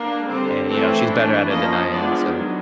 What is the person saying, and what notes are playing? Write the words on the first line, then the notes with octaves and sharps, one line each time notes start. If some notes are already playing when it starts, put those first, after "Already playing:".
and, you know, she's better at it than I am, so
Already playing: A#3 D4
D3 G3 C4
E3 A3 C4 A4
E3 A3 D4
F3 A#3 C#4 D#5
F3 G#3 B3 D4 D5
D#3 F#3 D4